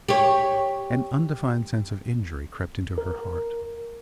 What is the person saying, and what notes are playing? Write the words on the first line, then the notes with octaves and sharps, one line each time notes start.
An undefined sense of injury crept into her heart.
G4 C#5
A#4